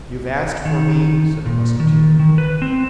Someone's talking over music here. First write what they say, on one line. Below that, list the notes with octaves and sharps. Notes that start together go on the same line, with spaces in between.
"You have asked for me?" said the Musketeer.
D#3
A#2
D#3
D#3
B4
C4